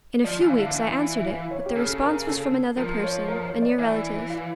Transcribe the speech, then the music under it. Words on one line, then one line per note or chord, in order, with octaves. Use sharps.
In a few weeks I answered it; but the response was from another person, a near relative.
F3 D5
E3
F5
D3 E5
F5
E3
E5
F5
C#5
G4
C#3 A4
A#4
A4
F3 A#4
C#5
A#4
C#5
D5
E3 E5
F5